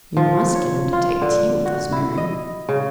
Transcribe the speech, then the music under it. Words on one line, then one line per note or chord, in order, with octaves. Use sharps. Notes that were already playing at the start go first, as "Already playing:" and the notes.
"You must get him to take tea with us, Mary."
F3
C#5
F4
D3
F#4
E4
D#5
C#3